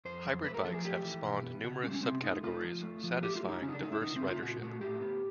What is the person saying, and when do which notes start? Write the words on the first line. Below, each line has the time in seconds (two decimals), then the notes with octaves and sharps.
Hybrid bikes have spawned numerous sub-categories satisfying diverse ridership.
0.05 F2 C5
0.25 F#3
0.44 A3 B4
0.54 A#4
0.65 F3 A4
0.74 G#4
0.85 A3 G4
1.04 E3
1.24 B2
1.44 B3
1.64 C#3 F#4
1.83 G3 C#4
1.89 C4
1.94 C#4
2.03 C3 C4
2.23 A3 D#4
2.43 A3 F4
2.64 F3
2.83 A3
3.03 F3
3.15 F#4
3.23 A3 G4
3.36 F4
3.43 F#3
3.49 D#4
3.62 C#3 C#4
3.68 D#4
3.72 D4
3.83 A3 D#4
3.92 E4
4.02 C#3 D#4
4.16 C4
4.22 A3
4.29 F4
4.42 A#2 F#4
4.62 A3 F#4
4.81 A2 G4
5.01 B3